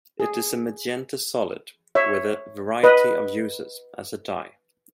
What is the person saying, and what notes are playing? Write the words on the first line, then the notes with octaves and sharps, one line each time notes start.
It is a magenta solid with a variety of uses as a dye.
G#4
C#5 E5
B4 D#5